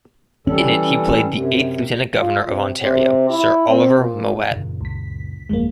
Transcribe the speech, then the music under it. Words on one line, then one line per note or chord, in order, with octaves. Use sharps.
In it he played the eighth Lieutenant Governor of Ontario, Sir Oliver Mowat.
E3 G3 C#4 A4
F#2 C3
F4
C3
C3
E4
C4
A#2
F#2 A#2 C#3
C#2 B6
G1 F2 G#3 A#3